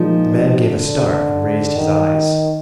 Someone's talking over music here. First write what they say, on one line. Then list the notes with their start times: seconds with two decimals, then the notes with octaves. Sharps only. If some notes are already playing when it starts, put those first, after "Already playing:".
The man gave a start and raised his eyes.
Already playing: A#2 F3 G#3 D#4
0.32 C3
0.68 D3
1.76 D#3